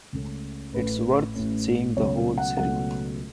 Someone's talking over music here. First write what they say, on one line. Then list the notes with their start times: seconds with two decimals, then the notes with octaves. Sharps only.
It's worth seeing the whole ceremony.
0.13 C#2 C#3 A3 C#4
0.74 A1 A2 A3 C#4 B4
1.35 A1 A2 A3 C#4
1.97 C#2 B2 F#3 A3 C#4 C#5
2.38 F#5
2.57 C#2 B2 F#3 A3 C#4 F#5